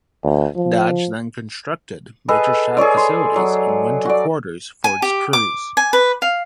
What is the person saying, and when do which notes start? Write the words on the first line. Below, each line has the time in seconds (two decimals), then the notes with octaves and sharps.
Dodge then constructed major shop facilities and winter quarters for its crews.
0.24 D2
0.56 F3
2.28 G#4 A4 B4 D#5
2.77 G#4 A4 C#5 D5
2.97 C6
3.36 F#3
4.05 F#4 D5
4.84 G#5
5.02 G4
5.33 D6
5.77 G#5
5.93 B4
6.22 F5